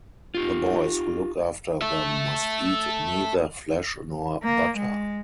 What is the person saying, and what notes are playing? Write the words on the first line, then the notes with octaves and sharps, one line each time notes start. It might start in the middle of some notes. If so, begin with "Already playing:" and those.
The boys who look after them must eat neither flesh nor butter.
F4 G4
A4 E5
A#3
G#3